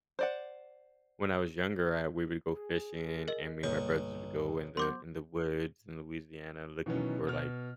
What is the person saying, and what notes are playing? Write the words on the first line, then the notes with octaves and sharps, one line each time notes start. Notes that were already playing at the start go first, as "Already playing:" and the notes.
when I was younger, I we would go fishing, and and me and my brothers would go in the in the woods in Louisiana looking for, like,
C5 D5 F#5
G#4
A#4 D#5
B1 G2 B2 D3 A#3 C#5 C#6
F#3 B3 C5 C6 D6 G6
B2 D#3 E3 F#3 B3 C#4
B2 F6